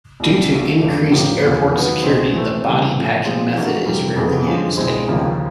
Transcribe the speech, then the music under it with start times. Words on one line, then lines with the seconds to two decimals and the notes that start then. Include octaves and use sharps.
Due to increased airport security the "body packing" method is rarely used any more.
0.20 C2 A#2 G3
0.51 C#3 F#3 A3 D4
0.81 F2 D3 F3 A3 D4
1.11 A2 F3 A#3 D4 G4
1.42 E2 C#3 F3 A#3
1.73 D#3 F#3 B3
2.02 C2 B2 G#3 C4 D#4
2.33 E3 A3 C4
2.64 C#3 E3 G3 A#3
2.94 A2 F3 A3
3.25 A#2 F3 G#3 C4
3.55 E3 A3 D4 F#4 A#4
3.85 F2 C3 E3 G3
4.16 F2 C#3 E3 G#3 B3
4.46 D3 F3 G#3 C#4 F4
4.77 C2 B2 G#3 C4 E4
5.07 D#2 C#3 F3 A#3